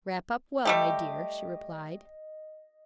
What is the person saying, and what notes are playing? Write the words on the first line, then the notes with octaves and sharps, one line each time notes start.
"Wrap up well, my dear," she replied.
G3 A3 G4 D#5